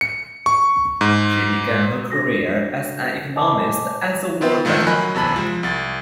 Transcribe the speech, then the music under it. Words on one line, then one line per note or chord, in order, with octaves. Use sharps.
She began her career as an economist at the World Bank.
C#7
C#6
G#2
D4 F#4 A4 A#6
C5 D#5 G#5 A5 D6
B3 C4 F4 G5
D3 D#3 F3 A3
F#3 A#4 D#5 G#5 B5 F#6
E2 C3 A5 B5
F3 G#3
C2 A6